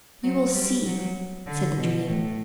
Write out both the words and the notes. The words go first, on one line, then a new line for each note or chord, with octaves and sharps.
"You will see," said the dream.
F#3
G3
F#3
D3
B2
A2